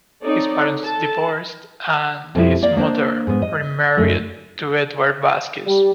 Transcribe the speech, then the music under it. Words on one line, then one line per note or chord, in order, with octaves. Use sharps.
His parents divorced and his mother remarried to Edward Vasquez.
C4 D#4 A4 C#5 D5
A4 A5
F2 B2 F3 G3 E4
A#3 D5 F5
A#3 D4 C5
G#2 B3
D#5
F#2 A3 D#4
G3